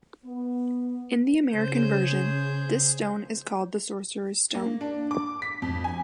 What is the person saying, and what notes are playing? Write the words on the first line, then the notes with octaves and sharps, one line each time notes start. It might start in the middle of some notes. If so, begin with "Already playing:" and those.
In the American version, this stone is called the Sorcerer's Stone.
B3
C#3 G#4 C5 G6
A#3
D4
D6
B6
F2
G#5